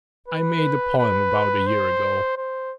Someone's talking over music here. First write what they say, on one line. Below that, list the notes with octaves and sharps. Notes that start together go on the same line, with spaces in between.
I made a poem about a year ago.
B4
B4
C5
C5